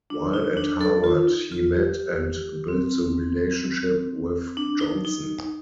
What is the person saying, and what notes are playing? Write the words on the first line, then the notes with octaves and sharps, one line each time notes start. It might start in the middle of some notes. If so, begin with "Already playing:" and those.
While at Harvard he met and built the relationship with Johnson.
D4
D#4
D4
A4
F4
D#4
F4
G4
C4
D4
D#4
D#4